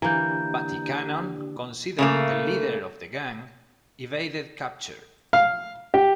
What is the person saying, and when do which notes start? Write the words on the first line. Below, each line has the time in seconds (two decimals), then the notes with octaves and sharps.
Patty Cannon, considered the leader of the gang, evaded capture.
0.02 D3 E3 A#3 D4 G4 A#5 G6
1.98 C#3 A3 A#3
5.33 F5
5.94 G4